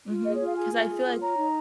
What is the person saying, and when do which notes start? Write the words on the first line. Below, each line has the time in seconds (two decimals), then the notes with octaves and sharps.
Mhm, 'cause I feel, like
0.09 F4
0.24 G#4 D#5
0.35 C#5
0.40 F4
0.46 F5
0.57 G#4 G#5
0.72 F4
0.90 G#4
1.04 F4
1.20 C#5 A#5
1.37 D#4